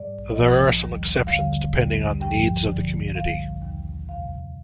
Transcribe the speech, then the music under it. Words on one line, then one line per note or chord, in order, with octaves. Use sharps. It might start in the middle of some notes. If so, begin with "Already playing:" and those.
There are some exceptions, depending on the needs of the community.
Already playing: G#2 G3 D5
G#2 F3 D#5
D#2 D#3 G3
D#2 D3 G3 F5
D#2 D3 G3
G2 F3 G5
D2 D3 F3
D#2 D3 G3 F5
D#2 D#3 G3
F2 C3 D#3 G3 F5